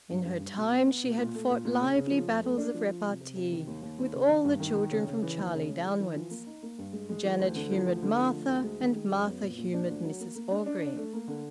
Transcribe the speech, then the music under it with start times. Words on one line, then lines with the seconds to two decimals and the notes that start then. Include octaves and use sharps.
In her time she had fought lively battles of repartee with all the children from Charlie downwards. Janet humoured Martha, and Martha humoured Mrs Orgreave.
0.10 G2
0.25 G2
0.40 G2
0.57 B2
0.71 B3
0.86 B3
1.03 B2
1.18 A#2
1.34 A3
1.50 A#2
1.65 A#2
1.80 C#3
1.95 C#3
2.11 F3
2.28 F2
2.43 A3
2.57 D4
2.74 F3
2.89 F3
3.04 C3
3.20 C3
3.36 C3
3.52 D#3
3.67 D#2
3.82 D#2
3.99 D#2
4.13 C#3
4.29 D#3
4.44 G2
4.60 D#3
4.75 D#3
4.91 C#3
5.07 C#3
5.22 E3
5.37 D#2
5.53 C#3
5.69 G#3
5.84 E3
6.00 E3
6.16 F3
6.30 A#3
6.46 D#4
6.63 A#3
6.78 G2
6.93 G#3
7.09 G#3
7.24 E3
7.39 D2
7.55 D3
7.71 F3
7.86 D2
8.03 D3
8.18 F3
8.33 A3
8.49 D2
8.64 G#3
8.80 D#3
8.95 G#3
9.11 F#2
9.26 B3
9.42 A#2
9.58 A#2
9.73 D4
9.89 D2
10.04 F#3
10.20 A#3
10.35 A#3
10.51 D4
10.66 D4
10.82 D4
10.97 A3
11.13 A#3
11.28 D3